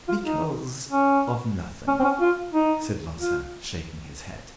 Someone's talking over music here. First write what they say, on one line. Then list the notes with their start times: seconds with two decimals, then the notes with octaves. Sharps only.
"Because of nothing," said Larsan, shaking his head.
0.08 F4
0.24 D#4
0.90 C#4
1.88 C#4
2.00 C4
2.04 C#4
2.20 F4
2.54 D#4
3.19 F4